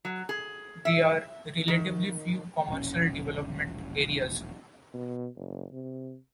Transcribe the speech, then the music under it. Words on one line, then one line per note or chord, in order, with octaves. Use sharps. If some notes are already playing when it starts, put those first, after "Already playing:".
There are relatively few commercial development areas.
F#3
G#4
E5
D#3
E1 A#1 G#2 C#4
B2
F#1
C3